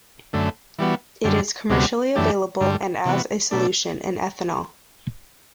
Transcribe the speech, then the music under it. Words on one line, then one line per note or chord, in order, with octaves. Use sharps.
It is commercially available and as a solution in ethanol.
F#2 D3 A3
E3 G3 B3 F#4
F#2 D3 G3
D2 C3 G3 B3 F#4
F#2 E3 A3 D4 G4
G2 D3 G3
C3 E3 B3 F#4
B2 A3 D4